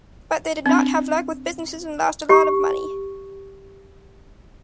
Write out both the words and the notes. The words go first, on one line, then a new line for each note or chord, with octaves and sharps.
But they did not have luck with businesses and lost a lot of money.
C4 D4
G4 C#6